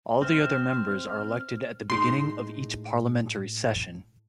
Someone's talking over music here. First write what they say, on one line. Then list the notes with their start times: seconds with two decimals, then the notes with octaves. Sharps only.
All the other members are elected at the beginning of each parliamentary session.
0.22 C4 E5 F6
1.90 A2 G#3 D#4 C6